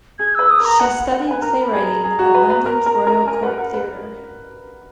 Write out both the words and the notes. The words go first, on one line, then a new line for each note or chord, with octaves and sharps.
She studied playwriting at London's Royal Court Theatre.
G#4 G#6
B4 E6
D#6
A#4
A#5
B4 F#5
F#5
F#5
B4 G#5
A#4 A#5
B5
G#4
A#5
G#4 A#5
F#4
B4
B4
A#4 A#5
A#4
A#4
A#4 G#5
B4 F#5
A#4 F#5
B4